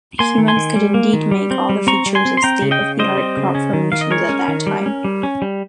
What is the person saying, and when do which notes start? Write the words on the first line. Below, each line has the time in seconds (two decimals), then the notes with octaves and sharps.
Humans could indeed make all the features of state-of-the-art crop formations at that time.
0.19 A#3 G#5 C6
0.38 D#3
0.48 G#5 C6
0.56 D#3
0.76 G3
0.94 A#3
1.13 D#3
1.31 G3
1.51 C4
1.69 G3
1.87 C4 A#5 C#6
2.06 G3
2.15 G#5 C6
2.25 C4
2.37 C6
2.43 C4 G5 A#5
2.62 C#3
2.71 D#5 G5
2.81 C#3
2.99 G3 C5 D#5
3.18 C4
3.37 C#3
3.55 C#4
3.73 D#3
3.92 D#3 F5
4.01 D#5
4.11 G#3 A#4 C#5
4.29 C#4
4.48 D#3
4.67 G3
4.86 C#4
5.04 G3
5.23 C#4
5.42 G3